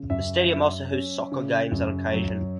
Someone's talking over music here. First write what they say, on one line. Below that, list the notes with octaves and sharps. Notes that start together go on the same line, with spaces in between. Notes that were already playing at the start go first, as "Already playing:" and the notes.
The stadium also hosts soccer games on occasion.
Already playing: C#3
F#2 E5
F#3 E5
C#4
C#3
F#2
F#3